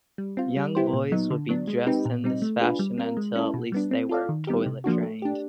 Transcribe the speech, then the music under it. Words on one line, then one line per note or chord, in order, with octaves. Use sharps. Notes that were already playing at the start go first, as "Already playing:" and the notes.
Young boys would be dressed in this fashion until at least they were toilet-trained.
G3
C4 F4
G3
B3 E4 G4 C5
A#2
F#3 B3 D#4
D3
F#3 B3 D4
G#3
C4 D#4 G4 B4
A#2
G3 C4 D#4
A3
D4 F4 G#4 B4
G3
C4 F4 A#4
G#3
C#4 E4 A4
B2
G3 B3 D4
C4
F4 A4 D5 F5
D#3
G3 B3 D#4 G4
C3
F3 A#3 D4 F#4
A3
D4 G4